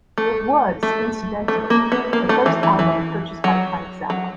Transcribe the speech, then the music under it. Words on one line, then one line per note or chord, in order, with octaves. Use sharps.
It was, incidentally, the first album purchased by Frank Zappa.
A3
A3
A3
A#3
B3
A#3
A3
E3
E3
E3
F#3
F#3